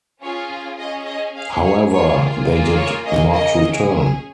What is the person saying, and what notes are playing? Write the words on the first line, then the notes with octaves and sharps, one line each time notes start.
However, they did not return.
C#4 F4 G#4 C#5
C#4 G#4 D#5
D#5
C#4 G#4 F5
C#5
A#3 F4 G#4 C#5
A#3 F4 G#4 A#4
C#5
A#3 C#4 G#4 D#5
D#5
C#4 G#4